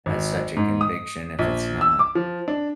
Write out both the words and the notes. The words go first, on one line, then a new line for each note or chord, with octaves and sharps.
as such a conviction if it's not
G#1
G#2
D#6
A#1
E6
D6
F3
D4